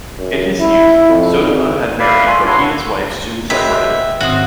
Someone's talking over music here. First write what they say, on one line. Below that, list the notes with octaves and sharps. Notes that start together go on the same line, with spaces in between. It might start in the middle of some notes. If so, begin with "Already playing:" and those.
In his youth, Sodoma had married, but he and his wife soon separated.
F#2
E4
F2
G#1
B4 D5 E5 F5
A3 F4 G#5
D4 E4 F#4 C#5 C6
F#3 G#3 A#4 B4 D#5 E5 G5
G#1 F#3 C4 F#4 E5 D#6